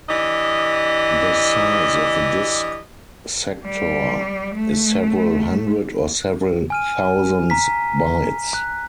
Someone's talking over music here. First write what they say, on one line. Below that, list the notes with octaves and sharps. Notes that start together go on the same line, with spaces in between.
The size of a disk sectors is several hundred or several thousands bytes.
E3 D4 G4 D#5
G3
A3
G#5 F6 D#7
A#5 B6
F#6